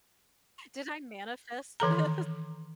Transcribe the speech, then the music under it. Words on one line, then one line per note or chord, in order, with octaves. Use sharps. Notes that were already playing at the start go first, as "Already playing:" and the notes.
"Did I manifest this?"
D#3 E3 A4 A#5